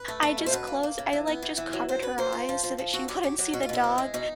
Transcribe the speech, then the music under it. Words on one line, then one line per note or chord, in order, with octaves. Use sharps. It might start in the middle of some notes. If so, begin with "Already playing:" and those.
I just closed I, like, just covered her eyes, so that she wouldn't see the dog,
Already playing: B4
A3
A3
B2
C5
F#2 B4
A#3
A#3
C#3
E3
B3
E3
E3
F#3
F#3 C5
F#2 B4
F#3 C5
F3
F3
F3
F3
C4 F#4
F#3 G4
F#3 G4
F#3 G4
B2 F#4
F4
B2 E4
C4
G#3
B2 D#4